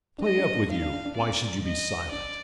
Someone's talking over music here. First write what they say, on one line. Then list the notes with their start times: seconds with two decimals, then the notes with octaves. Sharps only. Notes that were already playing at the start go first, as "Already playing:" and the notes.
'Play up with you, why should you be silent?
0.18 D4
0.22 D#4 D#5
0.39 D4
0.54 D4
0.70 D#4 F5
0.82 D4
0.93 D4
1.05 D4
1.16 C4 D5
1.64 D#5
2.11 D4 D5